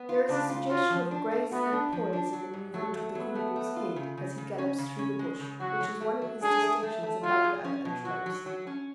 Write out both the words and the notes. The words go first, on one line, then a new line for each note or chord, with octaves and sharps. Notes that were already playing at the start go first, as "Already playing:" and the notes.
There is a suggestion of grace and poise in the movement of the koodoo bull's head as he gallops through the bush which is one of his distinctions above the other antelopes.
Already playing: B3
F4
C#3 D4
F4
F4 F#4
F3
D4
A3
B3 F#4
D4
F3
D4
F#3
G#2
F#3 A3
A3
F#3 B3
A3
A3
F4
C#3
C#3
C#3
C#4
C#3
C#4
G#3
C#3
F#3 F#4
F#3
A3
F#3
D4 G#4
A3
A3
A3
F#3 F4
G#4
C#4
B2
F#3 F#4
F#3
F#3
C#4